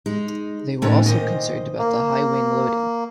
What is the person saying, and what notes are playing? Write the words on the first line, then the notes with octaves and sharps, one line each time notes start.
They were also concerned about the high wing loading.
G#3 D#4
A2 D3 D#3 A3 C4 C#4
A#2 D#3 C5 D#5
A#3